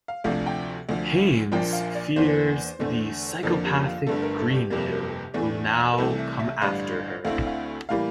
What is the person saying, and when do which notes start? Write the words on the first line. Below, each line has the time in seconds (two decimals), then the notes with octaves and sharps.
Haines fears the psychopathic Greenhill will now come after her.
0.08 F5
0.24 D2 C3 F3 A3 D4 F5
0.46 G5
0.89 D2 D3 F3
1.52 A#1 A#2 F3 A#3 D4 G5
1.73 F5
1.95 D5
2.16 E2 E3 A#3 D4 C5
2.80 E2 D3 A3
3.43 F2 D3 F3 A#3 A4
3.65 G4
3.86 F4
4.07 G1 G2 D3 A3 A4
4.22 A#4
4.39 A4
4.54 G4
4.70 G1 F2 C3 G3 A#3
5.34 E2 E3 A3 D4
5.93 A#4
5.98 C2 C3 E3 A3 A4
6.18 E5
6.40 E5
6.61 A1 G2 D3 G3 D4 F5
7.25 D2 D3 A3 C4 E4 F5
7.47 F5
7.89 A2 E3 G3 A#3 F5